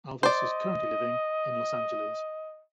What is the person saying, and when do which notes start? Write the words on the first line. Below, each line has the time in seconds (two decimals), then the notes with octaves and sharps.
Alves is currently living in Los Angeles.
0.23 C5 D5 D#5